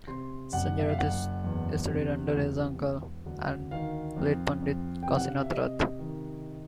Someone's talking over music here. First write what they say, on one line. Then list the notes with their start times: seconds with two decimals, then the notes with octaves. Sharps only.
Sanjay Rath studied under his uncle, the late Pandit Kasinath Rath.
0.07 C3 C6
0.52 F#1 F#5
0.79 E5
0.89 F5
0.98 F#1 F#5
1.44 E2
1.89 C3
2.35 E1
2.81 E1
3.26 D2
3.71 D#3 F5
4.16 F2
4.62 F2
5.03 G5
5.08 C3
5.16 F#5
5.28 F5
5.41 E5
5.54 C3 D#5
5.99 D#3